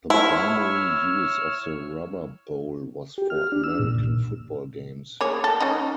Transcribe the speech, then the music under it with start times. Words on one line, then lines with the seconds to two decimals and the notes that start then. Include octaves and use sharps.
The primary use of the Rubber bowl was for American football games.
0.10 E4 C#5 E6 F6
3.18 G4
3.30 F6
3.52 D4
3.64 E6
3.79 A#2
5.21 A#3 G#4 C#5
5.44 A4
5.60 C#4 D#4